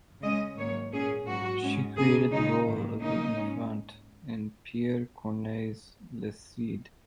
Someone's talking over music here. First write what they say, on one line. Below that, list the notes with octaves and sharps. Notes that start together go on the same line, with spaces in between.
She created the role of the Infante in Pierre Corneille’s "Le Cid".
C#3 G#3 C#4 D#5
G#2 D#3 F#3 A#3 C#5
A#2 A#3 C#4 G#4
G#2 F#3 A#3 F#4
G#2 G#3 C#4
C#3 A#3 C#4 G#4
C#3 G#3 C#4 D#4
G#2 D#3 A#3
C#3 A#3 C#4 D#4
G#2 G#3 C#4